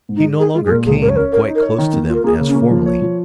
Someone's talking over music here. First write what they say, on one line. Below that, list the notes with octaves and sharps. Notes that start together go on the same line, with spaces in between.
He no longer came quite close to them as formerly.
G#2
D#4
G#3
D#4 G#4
G#3 F4
G#4
A#2 A#4
C#2 G#4
C#4 A#4
C#5
C#4 A#4
A#4 C#5
D#4
A#4
C#5
D#3
A#3
F4 A#4
A#3 G#4
C#3
C#4
A#3
F3
C#5
F3